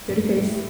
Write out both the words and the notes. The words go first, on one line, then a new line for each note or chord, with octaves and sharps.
Dirty Face!
G2
A2